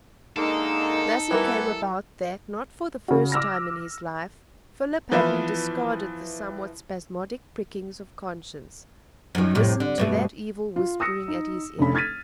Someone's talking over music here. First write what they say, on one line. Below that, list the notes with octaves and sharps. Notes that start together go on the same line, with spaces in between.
Thus it came about that, not for the first time in his life, Philip Hadden discarded the somewhat spasmodic prickings of conscience and listened to that evil whispering at his ear.
D3 G#3 A#3 D#4 A4
E3 G3 A3 B3 E4 A#4
C#3 F#4
D6 E6 F6 A#6
E3 F3 B3 E4
F#2 D#3
F2 A2 C3
D3
G2 B2 A3
F4
D#6 E6 A#6 C#7
D#4
F1 D3 C#4 B5
F6 G#6 A6 B6 D#7